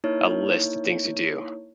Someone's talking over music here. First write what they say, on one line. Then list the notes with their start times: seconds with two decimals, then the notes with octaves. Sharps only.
a list of things to do,
0.04 A#3 D#4 E4 C#5